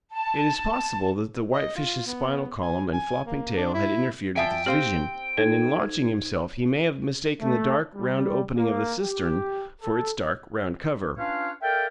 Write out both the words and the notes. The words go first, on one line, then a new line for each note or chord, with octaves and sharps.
It is possible that the whitefish's spinal column and flopping tail had interfered with his vision, and in launching himself he may have mistaken the dark, round opening of the cistern for its dark, round cover.
A5
D#5
F4
B3
G#5
G#5
A#3
D4
E4
F3 E5 G5 G#5
C4 G4 C5 F5
D#4 A4 G#6
A3
G3
A#3
G4
A4
C#4 D4 F4 B4 C#5 F5
A4 A#4 D5 E5 F5 G5